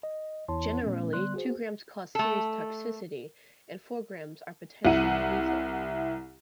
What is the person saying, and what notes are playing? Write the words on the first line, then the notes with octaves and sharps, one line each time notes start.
Generally, two grams cause serious toxicity and four grams are potentially lethal.
D#5
E2 E3 E4 C#5 A5 C6
A#2 F3 A3 B3 C#4
D3 G3 B3 D5 C6 F#6
F#4 G#4 C5
A3 A4
C2 E4 F#5 D#7